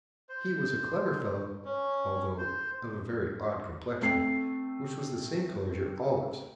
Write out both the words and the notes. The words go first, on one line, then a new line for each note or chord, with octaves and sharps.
He was a clever fellow, although of a very odd complexion, which was the same color as your olives.
C5
C#4
C5
A3 C4 C7